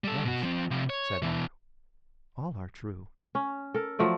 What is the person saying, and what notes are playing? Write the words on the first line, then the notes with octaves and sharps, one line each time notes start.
"Yes," said Otto, "all are true."
G3 A4
B2 F#4
F3 C4
C3 F3
C#5
B2 E3
C#4
A4 A#4
F3 F#3 A3 D5